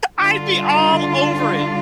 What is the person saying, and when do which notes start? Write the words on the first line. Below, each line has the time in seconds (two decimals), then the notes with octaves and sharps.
I'd be all over it.
0.18 D3 G3 D4 F4